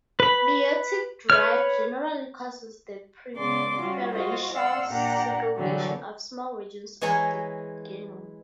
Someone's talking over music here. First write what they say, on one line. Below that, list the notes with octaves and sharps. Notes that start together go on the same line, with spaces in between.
Meiotic drive generally causes the preferential segregation of small regions of the genome.
B4 B5
B4 C#5 F6
C#3 G#3 B3 D5 C6 D6
G3 C#4 F4 F#4
F4 F#4 C5 D#5
D5 F5 F#5 C6 E6
A#2 A#3 D4 G4 F#5 A#5
D3 E3 F#3 G3 A3
E3 G#3 C#5 G#5 A#5